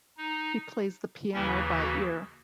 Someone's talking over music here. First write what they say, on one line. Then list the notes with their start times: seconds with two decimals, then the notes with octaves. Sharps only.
He plays the piano by ear.
0.17 D#4
1.33 D#2 C#3 E3 C#4 E4
1.77 F#4 A4